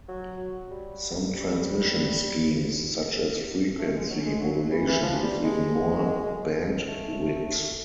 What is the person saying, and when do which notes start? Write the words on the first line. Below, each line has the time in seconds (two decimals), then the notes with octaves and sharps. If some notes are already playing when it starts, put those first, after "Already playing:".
Some transmission schemes such as frequency modulation use even more bandwidth.
0.09 F#3
0.71 G3
1.32 G3
3.79 A3
3.95 G#3
4.10 F#3
4.26 G#3
4.41 F#3
4.72 E3
4.87 E3
5.03 F3
5.23 G3
5.44 G#3
6.88 A3